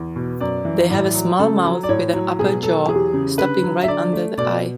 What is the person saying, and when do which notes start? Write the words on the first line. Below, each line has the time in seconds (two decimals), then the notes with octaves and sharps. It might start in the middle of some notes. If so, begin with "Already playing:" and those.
They have a small mouth with an upper jaw stopping right under the eye.
Already playing: E2
0.16 B2
0.40 F#2 D5
0.65 E3
0.90 A2 D5
1.14 F#3
1.39 C#3 A4
1.65 F#3
1.83 D5
1.89 A2 C#5
2.13 F#3
2.39 B2 G#4
2.63 F#3 A4
2.88 E2 G#4
3.13 C#3
3.38 D3 B4
3.63 F#3
3.83 E5
3.87 D3 D5
4.13 A3
4.38 B2 D5